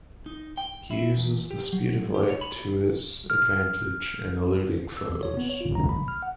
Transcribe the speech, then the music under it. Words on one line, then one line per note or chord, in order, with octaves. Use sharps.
He uses the speed of light to his advantage in eluding foes.
D#4
G5
E4
E2
G4
F#3
G4
C#5
B5
F6
E6
E2
C#5
B3
C#5
F4
A#5
B5
F6
F#5